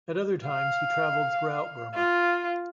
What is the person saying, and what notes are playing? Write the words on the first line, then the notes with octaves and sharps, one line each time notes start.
At other times he traveled throughout Burma.
F5
F4